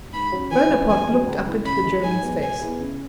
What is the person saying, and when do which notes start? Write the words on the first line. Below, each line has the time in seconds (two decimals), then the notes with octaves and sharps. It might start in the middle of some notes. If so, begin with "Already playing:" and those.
Bonaparte looked up into the German's face.
0.13 G#2 B5
0.32 F#3 C#4 F#4 C#5
0.51 E3 G#5
0.70 C#4 E4 B4
0.89 E2 G#5
1.09 C#3 F#3
1.27 C#2
1.46 C#3 G#3 E4
1.65 C#3 B5
1.84 E3 G#3
2.03 G#2 G#5
2.23 G#3 B3
2.41 B2 G#5
2.61 B3 E4 G#4
2.80 C#3